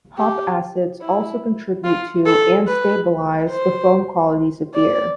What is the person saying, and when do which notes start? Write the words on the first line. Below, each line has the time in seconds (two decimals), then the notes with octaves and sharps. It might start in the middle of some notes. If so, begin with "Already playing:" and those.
Hop acids also contribute to and stabilize the foam qualities of beer.
0.18 G4
1.02 E4
1.84 F4
2.26 A4
2.68 B4
3.50 C5
4.75 D5